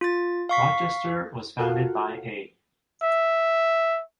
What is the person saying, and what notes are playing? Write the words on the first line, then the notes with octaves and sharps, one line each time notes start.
Rochester was founded by A.
F4 A6
F5 C#6 B6
F4 F#4 A4 A#4 F5 F#5
E5